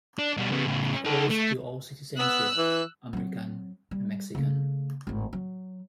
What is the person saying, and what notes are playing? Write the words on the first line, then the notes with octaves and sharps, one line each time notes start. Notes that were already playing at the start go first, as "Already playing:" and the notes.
He holds dual citizenship - American and Mexican.
D4
B2 G3
C#3 B3
A2 C#3
D#4 A4
A3
B3 E6 F#6
E3
F#3 C4
G3
C#3 A3
G#1 A2
F#3